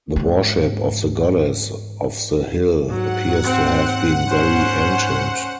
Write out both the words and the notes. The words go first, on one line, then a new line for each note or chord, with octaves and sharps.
The worship of the goddess of the hill appears to have been very ancient.
G#2 E3
G#2 F#3 F#5
C4
C#4 C5